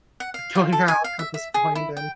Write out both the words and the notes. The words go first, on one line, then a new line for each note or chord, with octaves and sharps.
going out at this point and"
F#5
F5
F4
A4
G#5
F5
E5
E5
G#4
E4
G5